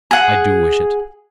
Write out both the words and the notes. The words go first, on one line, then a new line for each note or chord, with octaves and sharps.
"I do wish it."
G#4 F#5